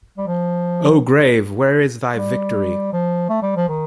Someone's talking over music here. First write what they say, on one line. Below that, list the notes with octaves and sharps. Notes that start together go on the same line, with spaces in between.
O grave, where is thy victory?
G3
F3
G3
F3
A3
G3
F3
D#3